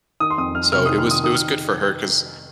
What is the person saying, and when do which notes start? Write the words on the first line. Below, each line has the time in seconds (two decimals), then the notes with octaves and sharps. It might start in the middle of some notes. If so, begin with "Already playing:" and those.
So, it was it was good for her 'cause
0.20 D#3 D#6
0.30 C6
0.38 F2 D#6
0.54 F2 F6
0.72 C3 F6
0.86 D#6
0.89 D#3
0.99 F6
1.07 D#3 D#6
1.23 D#3 D#6
1.36 F6